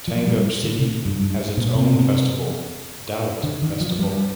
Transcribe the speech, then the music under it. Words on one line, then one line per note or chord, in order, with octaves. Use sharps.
Tangub City has its own festival - Dalit Festival.
F3
G3
D3
C3
G2
G2
A#2
C3
D3
D#3
F3
G3